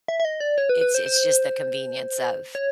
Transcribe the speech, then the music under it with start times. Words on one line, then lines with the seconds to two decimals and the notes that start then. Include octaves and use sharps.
It's it's just the convenience of
0.08 E5
0.20 E5
0.25 D#5
0.40 D5
0.58 C#5
0.69 B4
0.81 B4
0.95 C5
1.06 C5
2.55 C#5